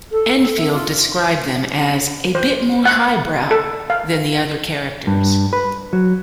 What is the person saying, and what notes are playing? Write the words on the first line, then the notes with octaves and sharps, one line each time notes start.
Enfield described them as "a bit more highbrow" than the other characters.
A4
E5
F4
C5
F#5
A4
F5
G2
B4
F#3